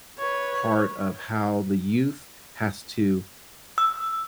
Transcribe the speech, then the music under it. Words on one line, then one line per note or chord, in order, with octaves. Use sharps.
part of how the youth has to,
B4 C#5
E6